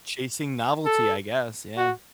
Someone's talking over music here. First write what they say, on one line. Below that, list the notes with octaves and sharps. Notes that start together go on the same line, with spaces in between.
Chasing novelty, I guess. Yeah.
A4
F#4